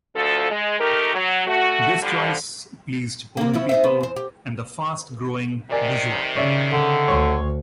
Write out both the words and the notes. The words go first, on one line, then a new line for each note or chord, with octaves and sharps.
This choice pleased both the people and the fast-growing bourgeoisie.
D2 F3 A4
G#3
D#3 A3 G4 A#4
F#3
A3 F#4
D3 F3 G3
C3 A#3
F3 C#4 E4
D#4 C5 E5
B3
E2 C5
G4
C3 D#3 A#4 D5 G#5
C#3 C#5 D5 E5
D3
D2 C#5 C6